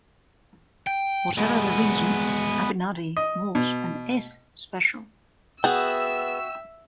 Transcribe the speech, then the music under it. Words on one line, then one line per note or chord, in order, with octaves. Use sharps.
Whatever the reason, Abinadi was and is special.
G5
G#3 B3
D#5
B2
B3 F#4 G#4 E5 G5 E6